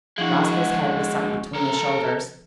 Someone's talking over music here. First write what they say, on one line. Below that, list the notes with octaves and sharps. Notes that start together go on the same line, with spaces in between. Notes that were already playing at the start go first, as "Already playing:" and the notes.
Roscoe's head was sunk between his shoulders.
F3 G#3 D4 E4 F#4
A4 A#4